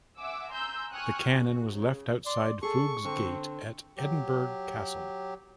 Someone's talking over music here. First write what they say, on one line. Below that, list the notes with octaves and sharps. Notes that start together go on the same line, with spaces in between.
The cannon was left outside Foog's Gate at Edinburgh Castle.
E5 F#5 G#5 D6 E6
G#5 A#5 C6 E6 G6
G5 G#5 C#6 D#6 F6 F#6
F#4
C#3
D5 C6
G#4 A4 C#6
D3 C4
F#3 G4